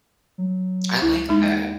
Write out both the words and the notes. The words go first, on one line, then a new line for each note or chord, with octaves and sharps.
I like that.
F#3
C#2 E4
D#2 G#3 D#4